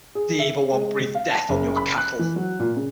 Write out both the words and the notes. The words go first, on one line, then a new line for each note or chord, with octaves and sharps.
The Evil One breathe death on your cattle!
G#4
E5
G#3
F5
A5
F#1
B5
F#6
E3
F#3
A#2
C#3